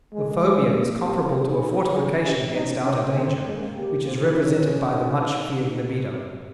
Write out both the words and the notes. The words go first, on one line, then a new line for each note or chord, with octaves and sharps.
The phobia is comparable to a fortification against outer danger, which is represented by the much feared libido.
G#3
G#3
A#3
C4 G4
D#4 G#4
C#4 G#4
C#4 G4
C#4 D#4
C#4 D#4
C4 C#4
G#3 A#3
A#3 G4
C4
D#4
C#4
D#4